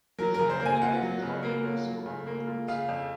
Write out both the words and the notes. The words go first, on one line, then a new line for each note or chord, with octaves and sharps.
This interpretation is not universal among Lutherans.
F#3 A#4
C#3 A#4
C5
A#3
G#5
F4 F#5
F#3
C#3
A#3
F4
F#3
C#3
A#3
F4
C#3 F5
F2